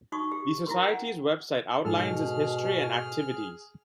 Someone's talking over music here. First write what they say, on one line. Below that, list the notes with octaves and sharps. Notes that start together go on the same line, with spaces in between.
The society's website outlines its history and activities.
D#4 F#4 C#6 D#6
G4
E4 F#4 A#4 C6
F#5 G5
G#2 B2 G#4 A4 F6